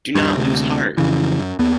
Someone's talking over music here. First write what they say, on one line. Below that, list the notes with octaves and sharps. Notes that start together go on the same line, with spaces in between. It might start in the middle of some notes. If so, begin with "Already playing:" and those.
Do not lose heart!
D#1 G2
D2 C3
F2 C#3 E3
F#2
D#2 B3